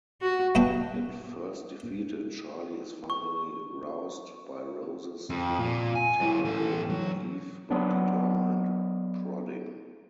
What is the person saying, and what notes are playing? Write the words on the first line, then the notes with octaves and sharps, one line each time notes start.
At first defeated, Charlie is finally roused by Rose's technically naive but determined prodding.
F#4
G2 B2 B3 D4 G5
C#6
F2
A#2
G#5
F#3 E4
E3 A4
F#3
F#3 B3 D4